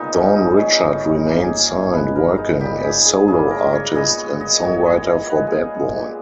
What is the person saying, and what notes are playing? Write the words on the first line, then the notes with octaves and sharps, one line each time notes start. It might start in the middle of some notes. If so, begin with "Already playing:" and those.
Dawn Richard remained signed working as solo artist and songwriter for Bad Boy.
Already playing: A#2 G#3 B3 D#4
C#4
D#4
A#2 G#3 B3 C#4
D#4
C#4
D#4
A#2 A#3 G4
G#4
A#4
C#5
B2 G#3 B3 B4
A#4
D#4
A#2 G3 B3 G4
G#4
G#4
C#3 G3 A#3 G#4
A#4
C#5
A#2 G#3 B3 D#5
C#5
D#5
A#2 G#3 B3 C#5
D#5
C#5
A#2 G#3 B3 B4
G#4 A#4
G#4
A#2 G#3 B3 G4